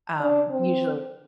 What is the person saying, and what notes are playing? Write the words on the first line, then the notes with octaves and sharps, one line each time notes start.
um, usually
D4
C4